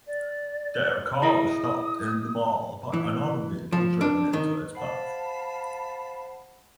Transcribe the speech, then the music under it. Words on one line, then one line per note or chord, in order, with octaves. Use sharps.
Their car was stopped in the Mall by another vehicle driven into its path.
D5
E4 G#4 D#5 E5 D#6 A#6 D7
E3
F3
D4
D#3
C5 F5 F#5 A5 B5